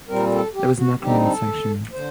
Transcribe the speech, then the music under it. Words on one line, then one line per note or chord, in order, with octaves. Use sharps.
There was no criminal sanction.
A#2 G3 C4 A#4
A4
G4
F#4
D3 G3 C4 D#4 G4
A4
D3 C5